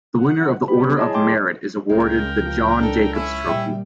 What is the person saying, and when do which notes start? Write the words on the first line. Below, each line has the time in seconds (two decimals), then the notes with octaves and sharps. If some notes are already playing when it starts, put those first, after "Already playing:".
The winner of the Order of Merit is awarded the John Jacobs Trophy.
0.18 F#5
0.68 G3 B3 G4 B5
0.97 E4 G#4 C#5 D#5 A5
1.14 G5 C6 D6
1.89 C#2 C#3 G#3 A#4 G5
2.46 F3
2.80 D4 A4
3.12 C#4 E4
3.47 A#2 G3 E5 G5